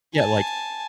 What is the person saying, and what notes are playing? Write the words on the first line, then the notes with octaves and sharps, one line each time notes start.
yeah, like,
G#5 A5